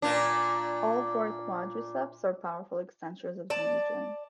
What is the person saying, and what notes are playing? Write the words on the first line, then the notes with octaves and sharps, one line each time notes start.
All four quadriceps are powerful extensors of the knee joint.
A#2 D4
D5 A5